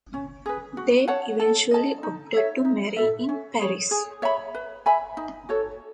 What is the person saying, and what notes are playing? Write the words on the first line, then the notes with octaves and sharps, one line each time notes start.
They eventually opted to marry in Paris.
C#4
G#4 B4
F#4
C#5 F#5 A5
A4
D#5 A5
D#4
A4 C#5 E5
D#4
A4 E5
C#4
G#4 C#5
G#4
C#5 E5 B5
B4
E5 G#5 B5
D#4
F#4 A4 C#5